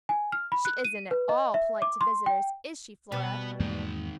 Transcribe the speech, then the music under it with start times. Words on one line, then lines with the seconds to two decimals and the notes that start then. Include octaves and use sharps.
"She isn't at all polite to visitors, is she, Flora?"
0.09 G#5
0.32 F6
0.52 B5
0.65 F#6
0.85 D#7
1.11 B4
1.29 D#5
1.54 E5
1.82 D6
2.01 C6
2.26 G5
3.12 B2 G3 B3 B4
3.60 E2 G#2 D#3 G#3 A#3